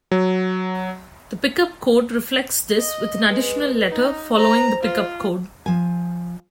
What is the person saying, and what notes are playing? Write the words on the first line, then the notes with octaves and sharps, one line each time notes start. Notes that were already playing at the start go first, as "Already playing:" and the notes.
The Pickup code reflects this with an additional letter following the pickup code.
F#3
D#5
G#3 B4
D#4
C5 A#5
F4
F3 G#5